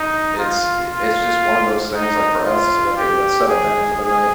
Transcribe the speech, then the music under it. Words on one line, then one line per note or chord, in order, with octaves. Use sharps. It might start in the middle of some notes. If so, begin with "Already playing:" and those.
it's i it's just one of those things, like for us, it's like, "Okay, let's settle down for the night.
Already playing: D#4
F4
F4
D#4
F4
G4
G#4
G#4